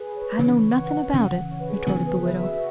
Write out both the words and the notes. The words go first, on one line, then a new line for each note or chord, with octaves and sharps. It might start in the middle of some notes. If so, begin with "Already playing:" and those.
"I know nothing about it," retorted the widow.
Already playing: G#4 B4
C#5
B4
C#3 E3 C#4 B4
C#5
F#5
C#3 E3 C#4
C#5
B4
G#4
C#3 E3 B3 G#4
B4
E5
F#4